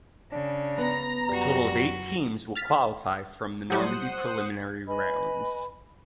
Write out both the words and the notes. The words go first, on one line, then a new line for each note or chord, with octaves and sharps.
A total of eight teams will qualify from the Normandy preliminary rounds.
C#3 D4
B3 A#5
F#2 G3 F#4
F6 A6 B6
F#3 G3 E4 C5 F#5 D#6
B4 D#5 G#5 B5